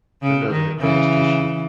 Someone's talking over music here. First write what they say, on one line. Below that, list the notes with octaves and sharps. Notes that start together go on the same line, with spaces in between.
another advanced issue,
C#3
D#3
C#3 E3